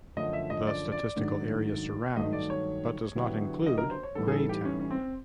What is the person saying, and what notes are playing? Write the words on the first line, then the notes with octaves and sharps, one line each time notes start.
The statistical area surrounds but does not include Greytown.
F#2 D3 F3 A3 D#5
E5
D#5
D5
D5
G#2 D#3 F#3 A3 D4
G2 D#3 F#3 A3 D#5
D5
C#5
D3 F#3 B3 E4 G4
D#5
A#4
C5
C#5
A2 E3 G3 B3 D#4 A4
G#4
A4
G4
C#4
C#4
C4